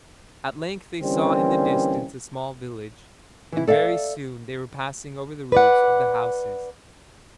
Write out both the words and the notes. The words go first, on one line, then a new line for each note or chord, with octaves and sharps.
At length they saw in the distance a small village, and very soon they were passing over the roofs of the houses.
D3 E3 G3 A#3 C4 C#4
E3 E4
A4 D5 E5 F5
B4 D5 F#5